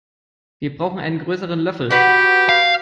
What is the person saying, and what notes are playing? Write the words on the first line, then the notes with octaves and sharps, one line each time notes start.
Wir brauchen einen größeren Löffel.
F#4 G4 B4 F#5
F5